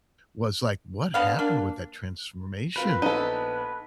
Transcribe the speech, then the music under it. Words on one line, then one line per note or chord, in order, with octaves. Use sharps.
was like, "What happened with that transformation?"
D3 B3 F5
A#3 D4
C4 F4 A#4 B4
A#1 B3 D#4 A4